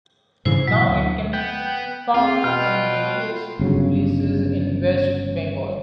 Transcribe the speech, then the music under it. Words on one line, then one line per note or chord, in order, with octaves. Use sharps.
Now it can found in various places in West Bengal.
G#2 C#3 E3 E4 C5
B2 F#3
D2
B3 G5
E2 C4 F4 F6
B2 B4 G5 F6
G1 C#3 F#3